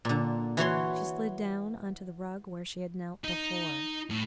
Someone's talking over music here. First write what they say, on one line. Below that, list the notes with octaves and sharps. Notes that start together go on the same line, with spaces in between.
She slid down on to the rug where she had knelt before.
A#2 D3
E3 F#4 C#5 C6
D#4
A2